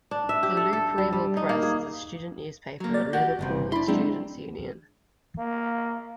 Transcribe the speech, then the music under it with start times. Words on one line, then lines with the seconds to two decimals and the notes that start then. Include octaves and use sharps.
The Looprevil Press is a student newspaper at Liverpool Students' Union.
0.11 D4
0.29 E5
0.43 G4
0.57 A4
0.73 A4
0.98 G3
1.13 G3
1.37 D#4
1.49 A#3
1.63 G#4
2.80 F#3 A#3
2.94 D5 A6
3.13 F#4 G4 F#5 G6
3.39 G1 C#2 G2 C3
3.72 D4 E4 B5 C6
3.88 F#3 G#3 C4 D4
5.38 A#3